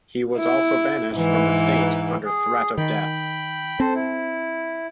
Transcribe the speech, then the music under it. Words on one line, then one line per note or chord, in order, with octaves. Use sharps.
He was also banished from the state under threat of death.
E4
G#2 E3 B4
G#4
D#3 G5 B5
C4 A4 C5
E4